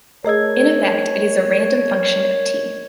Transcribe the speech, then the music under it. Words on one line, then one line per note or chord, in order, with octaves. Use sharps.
In effect it is a random function of "t".
A3 G#4 A#4 C#5 D#5 E6 G#6